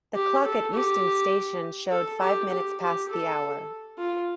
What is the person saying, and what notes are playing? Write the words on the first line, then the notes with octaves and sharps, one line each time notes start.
The clock at Euston Station showed five minutes past the hour.
G4
A4
G4
A4
G4
G4
G4
A4
F4